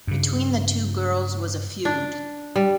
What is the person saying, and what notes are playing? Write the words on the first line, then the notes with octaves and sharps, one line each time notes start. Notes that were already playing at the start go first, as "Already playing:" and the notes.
Between the two girls was a feud.
G2 C#3
D4
G3